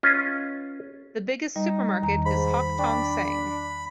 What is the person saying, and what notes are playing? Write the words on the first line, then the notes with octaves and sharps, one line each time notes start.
The biggest supermarket is Hock Tong Seng.
C#4 F4 B4 D#5
G3 D#4
E2 D#3 A#5
G#2 B5
D4 G5 C#6